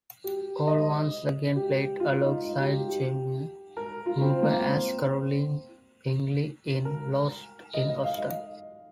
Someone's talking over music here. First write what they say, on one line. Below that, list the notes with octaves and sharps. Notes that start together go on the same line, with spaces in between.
Cole once again played alongside Jemima Rooper as Caroline Bingley in "Lost in Austen".
G4
D#5
G4
F4
D#4
D#4
G4
G4
G4
A#4
F4
C4
A#3
C4
A#4
D#5
D#5
F5
D#5